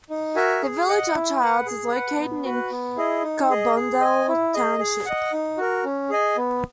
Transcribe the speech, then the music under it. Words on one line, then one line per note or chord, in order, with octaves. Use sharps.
The village of Childs is located in Carbondale township.
D#4
F#4 A#4 E5 G#5
G#4
D#5 F#5
E4
B4 F#5
G#4
B4 F#5
B3
F#4 B4
B3
E4 G#4 D#5
D#4
G#4 D#5
G#4
D#5 G#5
E4
G#4 D#5
G#4
D#5 F#5
D#4
F#4 A#4
C#4
G#4 D#5 G#5
B3